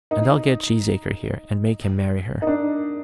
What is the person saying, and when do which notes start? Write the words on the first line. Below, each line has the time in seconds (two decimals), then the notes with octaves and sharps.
And I'll get Cheesacre here, and make him marry her.
0.11 D#4
2.42 D#4
2.47 D4